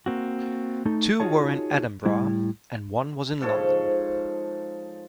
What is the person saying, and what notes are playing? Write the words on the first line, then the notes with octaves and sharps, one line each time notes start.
Two were in Edinburgh and one was in London.
A#3 C4 F#4
A3 D#4 A4
D#4 F4 F#4 G#4 C#5 A5
A2 G3 E4
G#2 F3 A4 C#5